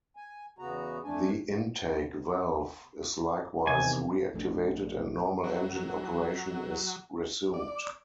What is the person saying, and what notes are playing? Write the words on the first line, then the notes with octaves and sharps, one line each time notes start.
The intake valve is likewise reactivated and normal engine operation is resumed.
G#5
E2 C#3 B3 F#4 A#5
F2 A3 D4 G#5
E2 C3 D#3 G#5
A#1 A3 C4 D4
F#3
F#3
D5